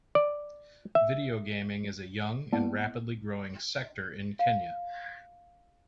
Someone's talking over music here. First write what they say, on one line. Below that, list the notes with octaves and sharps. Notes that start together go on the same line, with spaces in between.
Video gaming is a young and rapidly growing sector in Kenya.
D5
E5
A#3 B3 E4 D5 A5
F5